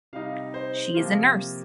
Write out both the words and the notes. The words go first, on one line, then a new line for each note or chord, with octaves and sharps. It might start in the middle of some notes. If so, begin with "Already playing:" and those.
She is a nurse.
C3 G3 D#4 F5
C5
C3 F3 A#3 F4